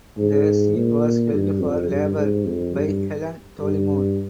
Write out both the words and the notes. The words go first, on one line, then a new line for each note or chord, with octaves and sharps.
The seat was held for Labour by Helen Dollimore.
G#2
A#2
G2
F2
G2
G#2
F2
G2
G2